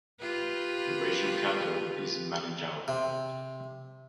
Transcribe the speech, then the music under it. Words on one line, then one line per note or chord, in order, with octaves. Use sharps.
The regional capital is Madingou.
F4 G4 B4
C3